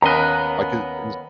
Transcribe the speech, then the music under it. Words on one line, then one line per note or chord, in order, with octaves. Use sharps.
like, his his
D#2 B3 C#4 A#4 D#5 A#5 F#6